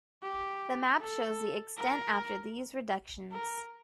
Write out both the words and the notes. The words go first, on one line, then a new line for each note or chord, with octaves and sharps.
The map shows the extent after these reductions.
G4
A4
A#4
A#4